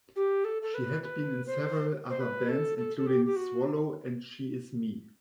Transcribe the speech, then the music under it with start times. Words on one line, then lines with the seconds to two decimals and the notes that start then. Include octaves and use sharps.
She had been in several other bands including "Swallow" and "She Is Me".
0.16 G4
0.45 A4
0.62 A4
0.74 B4
1.03 B4
1.47 C5
2.10 C5
2.20 B4
2.49 A4
2.78 A4
2.97 A4
3.07 G4
3.25 G4
3.36 F#4